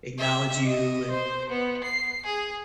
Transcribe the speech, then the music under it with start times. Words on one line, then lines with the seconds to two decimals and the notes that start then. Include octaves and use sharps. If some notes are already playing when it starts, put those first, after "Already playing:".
acknowledge you, and
0.18 E5
0.65 D#5
1.11 C5
1.49 B3
1.84 C7
2.26 G#4